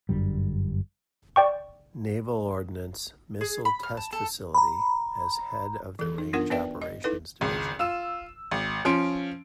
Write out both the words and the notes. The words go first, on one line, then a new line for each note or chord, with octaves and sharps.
Naval Ordnance Missile Test Facility as head of the Range Operations Division.
G1 F#2 D3 G3
D5 G5 C#6
G#4
B5
F6
A5
A4
A#5 B5
E3 A4
D#4
B3 D4 F4 A#4 F#5
B3 B4 D5 E5 G5
D#5
D#4 E4 A4 B4
G#1 C#2
F4 E6 E7
G#1
F3 C#4 C6 D7